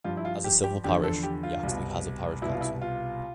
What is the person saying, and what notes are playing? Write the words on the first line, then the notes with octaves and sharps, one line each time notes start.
As a civil parish, Yaxley has a parish council.
G2 F3 F4
E4
F4
G4
G4
E2 D3 F3 G4
A4
G4
F4
C2 B2
C2 B2 E4
F4
E4
F4